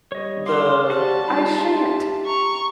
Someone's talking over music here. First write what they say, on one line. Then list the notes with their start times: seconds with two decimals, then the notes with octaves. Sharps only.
the "I shan't,
0.12 G3 C#5 D#5
0.46 F5 C6 D6
0.90 F#4 G4 C5 D5 A5
1.28 G3 G#3 D#4 F4 B5
1.58 G4 E5 C6
2.26 A#5 C#6